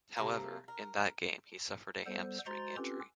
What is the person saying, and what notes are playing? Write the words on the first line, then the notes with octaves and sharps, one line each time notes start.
However, in that game, he suffered a hamstring injury.
C3 G3 A3 A#3
A#4
G3 B3 A4 C5
G#3 F#4 C5 A#5 C6 A6
C4 C#4 F4 G4 A4 B4